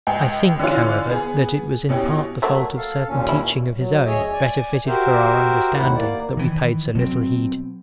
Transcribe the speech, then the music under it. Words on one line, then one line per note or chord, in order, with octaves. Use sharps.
I think, however, that it was in part the fault of certain teaching of his own, better fitted for our understanding, that we paid so little heed.
C#2 G5
D3 E3 C#4 F4
B3 G#4
B2 C#4 E4 G4
F#3 A3 A#3
A4 F5
D#2 A#2 C#4
E4
F#3
D2 G#4 C#5 D#5 E5
D5 G#5
F#4 G4 A#4 C5 E5
D#2 A2 D#3 E4 F#5
A#3 D5
D#3 E3
B2 F#3 C4